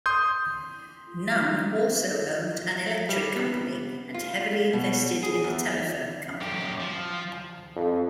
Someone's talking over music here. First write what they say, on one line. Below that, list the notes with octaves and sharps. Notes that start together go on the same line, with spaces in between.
Nunn also owned an electric company, and heavily invested in the telephone company.
C6 D#6 G6
G3
B3
F4
B2
G#4
E2
F#2 G4
F3
F2